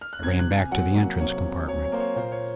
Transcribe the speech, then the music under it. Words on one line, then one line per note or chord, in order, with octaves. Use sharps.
I ran back to the entrance compartment.
F6
F#6
C3 G#6
F#6
C3
G#5
F#3 F#5
A#3
C3 C#5
C3
F#3 C#5
C#5
A#3 C5
C#5
A#2 C5
C#5